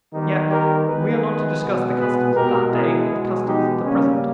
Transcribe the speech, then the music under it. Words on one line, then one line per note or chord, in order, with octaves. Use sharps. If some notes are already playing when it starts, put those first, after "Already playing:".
Yet we are not to discuss the customs of that day, but the customs of the present.
D#3 G3 B3 D#4 G4
G4 A#4
D#3 G#3 B3 G#4 B4
B2 G#3 B3
G#4 B4
B2 G#3 B3 G4 A#4
E4 G#4
B2 G#3 B3
D#4 G4
C#3 G3 A#3 C#4